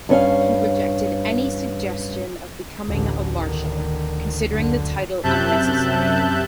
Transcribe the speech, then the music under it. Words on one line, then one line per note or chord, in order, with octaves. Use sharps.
He rejected any suggestion of becoming a Marshal, considering the title unnecessary.
G2 C#4 F5
A1 D2 D3
D3 D#3
F#2 D3
F#2 C3 E5 A5 F#6 G6